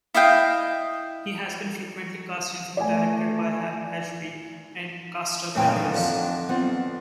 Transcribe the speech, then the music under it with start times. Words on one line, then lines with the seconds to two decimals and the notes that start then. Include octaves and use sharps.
He has been frequently cast in films directed by Hal Ashby and Costa-Gavras.
0.14 E4 D#5 F5 G5
2.77 A3 D5 G#5
5.55 A#2 C#3 E3 A3 C4 F5 G5 A#5
5.76 D3 D4 F#5
5.95 F2 D3 F5
6.49 B3 C4 F4 F#5